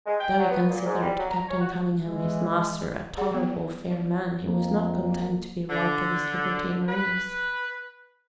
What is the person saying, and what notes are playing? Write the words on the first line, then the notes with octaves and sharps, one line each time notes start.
Though he considered Captain Cunningham, his master, a "tolerable fair man," he was not content to be robbed of his liberty and earnings.
G#3
G5
F#3
B3
A#2
G#2
G3
F#3
A#5
C#5
F#4
E3 G#3
G#4 D5 F#5
F#3 B3
F#3
F2 A#3
D3
B4